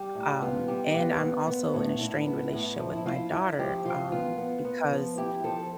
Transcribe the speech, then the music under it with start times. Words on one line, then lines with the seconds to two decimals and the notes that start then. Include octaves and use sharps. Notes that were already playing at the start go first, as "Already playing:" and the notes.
Um, and I'm also in a strained relationship with my daughter, um, because
Already playing: G3 G4
0.15 A2
0.42 B3 F4
0.68 G3 G4
0.94 B3 F4
1.21 B3
1.47 B3
1.74 A2
2.00 A2 E4
2.27 B3
2.53 A2
2.79 F3
2.95 E4
3.06 E4 F4
3.32 E4
3.59 F3 G4
3.85 F3 F4
4.12 B3 F4
4.38 B3
4.65 B3
4.91 F3
5.17 E4 G4
5.44 F3 A4